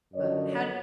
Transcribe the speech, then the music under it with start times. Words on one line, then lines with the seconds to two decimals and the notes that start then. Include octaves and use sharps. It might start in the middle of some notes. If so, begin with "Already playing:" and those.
but, how d
0.14 F#2 D3 F3 C#5 D#5